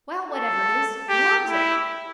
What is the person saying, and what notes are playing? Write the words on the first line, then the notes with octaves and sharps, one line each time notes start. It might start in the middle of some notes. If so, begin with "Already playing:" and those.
"Well, whatever it is, who owns it?"
A4
G4
E4